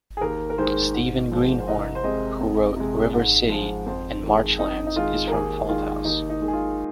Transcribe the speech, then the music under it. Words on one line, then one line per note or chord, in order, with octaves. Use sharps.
Stephen Greenhorn, who wrote "River City" and "Marchlands", is from Fauldhouse.
G#4
D#2 A#4
A#4
D#3 G#3 C5
G#2
F3 G#3
C5
C2 D#5
C5
C3 G#3 D#5
F2
C3 G#3
G#2
F3 G#3
F2 C5
D#3 G#3
F2 D#4
D#4
D#3 G#3 F4
A#4
D#2 G#4
D#3 G#3 F4
D#2 D#4
D#4
D#3 G#3
G#4
F4